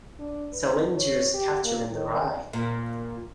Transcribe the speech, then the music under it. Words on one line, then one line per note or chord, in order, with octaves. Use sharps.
Salinger's "Catcher in the Rye".
D4
B4
C#5
G4
A#3
D#3
A#2